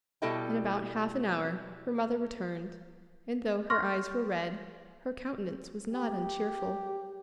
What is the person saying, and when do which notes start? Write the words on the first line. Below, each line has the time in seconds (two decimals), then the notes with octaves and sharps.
In about half an hour her mother returned, and though her eyes were red, her countenance was not uncheerful.
0.22 B2 G3 E4 A4 D#5 G5
3.70 C6 C#6 F6 A#6
5.92 G4